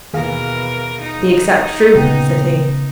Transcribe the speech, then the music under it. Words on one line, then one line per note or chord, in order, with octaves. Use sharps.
'The exact truth!' said he.
D#2 B2 E3 G#4 A#4 F5
D#4
D2 A#2 C#3 B3 G5